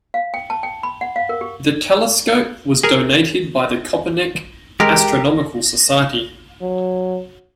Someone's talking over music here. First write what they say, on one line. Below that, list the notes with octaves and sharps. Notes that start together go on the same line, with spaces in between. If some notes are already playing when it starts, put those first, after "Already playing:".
The telescope was donated by the Kopernik Astronomical Society.
F5
G5
A5
G5
B5
F#5
F5
A#4
G4
G#4 A#4 G#5
G#3 G4 A#4
F#3